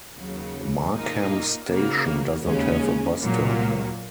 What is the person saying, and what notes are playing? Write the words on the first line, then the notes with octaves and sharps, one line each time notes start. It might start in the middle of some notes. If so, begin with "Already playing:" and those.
Markham Station does not have a bus terminal.
D#2 C#3 F#3
A#2 A#3 D#4
C#3 A#3 F#4
D#2 C#3 G#3 C#4
A#2 F#3 A#3